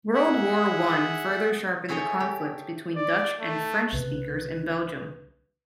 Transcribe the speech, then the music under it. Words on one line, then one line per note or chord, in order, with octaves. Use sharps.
World War One further sharpened the conflict between Dutch and French speakers in Belgium.
G#4 E5 F#5
E4 F#4 G#4 A4 C#5 D#5
G4
D5
A3
C2 C#3 B4